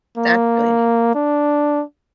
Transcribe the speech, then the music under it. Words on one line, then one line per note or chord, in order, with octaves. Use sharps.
That's really neat.
A#3
D4